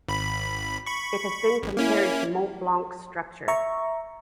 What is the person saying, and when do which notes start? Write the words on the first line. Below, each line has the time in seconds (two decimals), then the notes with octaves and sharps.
It has been compared to Mont Blanc's structure.
0.08 G#1 B5
0.86 B5 C#6
1.63 A1
1.77 A#3 C#4 E4
3.48 E5 A#5 C#6